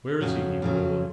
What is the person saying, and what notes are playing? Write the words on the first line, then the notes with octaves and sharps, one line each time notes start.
"Where is he?" he roared.
F2 C#3 F#3
F2 C#3 F#3